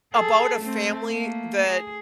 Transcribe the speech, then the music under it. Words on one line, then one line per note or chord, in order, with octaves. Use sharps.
about a family that
G#4 A4
A3 C4
A3 A#3
G#4